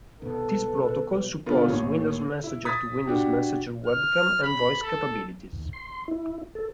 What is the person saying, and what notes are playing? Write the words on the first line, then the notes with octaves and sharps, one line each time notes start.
This protocol supports Windows Messenger-to-Windows Messenger webcam and voice capabilities.
C2 B2 D#3 A4 B4
D3 B3 F4 A#4
A1 D#2 C#5
E4
D#6 G#6 A6 B6
D4 F#4 G4
F6
B5
A4
D#2
C6
E4
A4